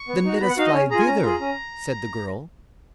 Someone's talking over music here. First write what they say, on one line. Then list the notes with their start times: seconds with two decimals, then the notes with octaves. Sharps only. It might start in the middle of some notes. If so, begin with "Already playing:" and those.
"Then let us fly thither," said the girl.
Already playing: C#6
0.08 B3
0.25 D#4 F#4
0.37 A#5
0.41 B3 B5
0.49 F#5
0.57 D#4 F#4 F5
0.66 D#5
0.74 C#4 C#5
0.90 G#4 A#5
0.94 F4 G#5
1.07 C#4 A#5
1.23 F4 G#4
1.40 C#4